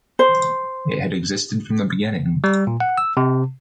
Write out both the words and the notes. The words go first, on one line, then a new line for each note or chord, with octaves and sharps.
It had existed from the beginning.
C5
G3
A#2
F#5
E6
C3